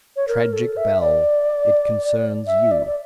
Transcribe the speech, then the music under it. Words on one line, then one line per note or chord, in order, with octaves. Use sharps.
Tragic bell! it concerns you.
C#5
A#4
A4
E5
D5
E5
D5
D5